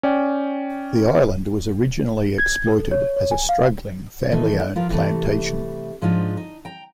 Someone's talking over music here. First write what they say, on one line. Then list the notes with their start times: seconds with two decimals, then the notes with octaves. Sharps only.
The island was originally exploited as a struggling family-owned plantation.
0.03 C#4 D5 G5
2.38 G#6
2.67 A4
2.91 C#5
3.16 C#5
3.31 G#5
3.49 F5
4.31 D#3 E3 A3 D#4
4.76 F3 F4 A#4 B4
4.89 C3 E3 G3 A3
6.02 G#2 F3 D4 D#4 F4
6.37 D#4
6.65 G5 A#5